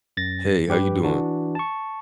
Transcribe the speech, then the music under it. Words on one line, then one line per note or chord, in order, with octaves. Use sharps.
Hey, how you doing?
F#2 A6 A#6
G2 G4 B4
E3 D4 F#4
A5 C#6